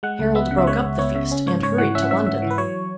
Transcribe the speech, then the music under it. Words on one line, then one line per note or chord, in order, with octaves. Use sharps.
Harold broke up the feast and hurried to London.
G#3 F#5
C#2
B3 E5
C#3 F#5
E5
G#3 C#5
C#2
B3 C#5
C#3 E5
C#4
G#2 C#5
G#2 C#5
E3 F#5
C#4 E5
F#5
G#2 E5
G#2 E5
E3
B4
F#3 C#5